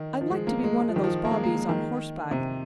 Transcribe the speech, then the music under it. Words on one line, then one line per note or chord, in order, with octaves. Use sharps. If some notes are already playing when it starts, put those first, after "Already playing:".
I'd like to be one of those bobbies on horseback.
Already playing: D#3
F3
G#3
A#3
G#3
G#3
F3
D#3
F3
A#3
G#3
A#3
G#3
D#3
C3